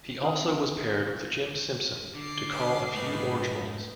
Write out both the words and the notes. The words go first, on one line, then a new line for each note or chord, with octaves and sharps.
He also was paired with Jim Simpson to call a few Orange Bowls.
D#3 C4 F5 D#6
D3 D6 C7
B3 C#4
A#1 G#2 A3 B3 D#4 B4